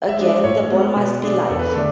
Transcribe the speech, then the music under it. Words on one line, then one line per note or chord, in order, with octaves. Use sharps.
Again, the ball must be live.
E5
G#3 D4
E5
A2 C#5
G#3 B3
B2 B4
A3 D4 G#4
E2 A4
B4
A4
D3 A3 D4